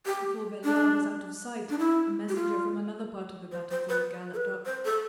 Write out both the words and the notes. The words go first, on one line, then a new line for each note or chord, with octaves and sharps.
Before Belliard was out of sight, a messenger from another part of the battlefield galloped up.
G4
D4
D4
E4
G4
F4
C5
C5
B4
A4
B4
C5
A4